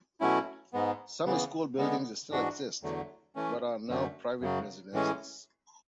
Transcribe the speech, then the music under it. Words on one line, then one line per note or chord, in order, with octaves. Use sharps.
Some school buildings still exist but are now private residences.
B2 F#3 A3 C#4 E4
G#2 G#3 B3
C#3 E3 B3
D3 G#3 B3
G#2 E3 G#3 D4 F#4
E2 D3 F#3 A3
E3 A3 C#4
F#2 D3 A3
F#2 C#3 F#3
A2 E3 G#3 C#4